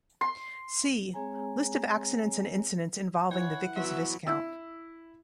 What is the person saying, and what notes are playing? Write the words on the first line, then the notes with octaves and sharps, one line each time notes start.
See "List of accidents and incidents involving the Vickers Viscount".
C6
G#3 C4 G#4 C#5 G#5 A#5
E3 C#5 F#5
E3 F#3 B3 E5 C6 C#6
E4 E6